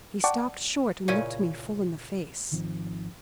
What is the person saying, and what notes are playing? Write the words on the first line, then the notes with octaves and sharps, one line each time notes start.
He stopped short and looked me full in the face.
D5 F#5 G5 A5 C#6 D6
A#2 C#3 C#4 E4 G#5
G#1 D#3 F3 C4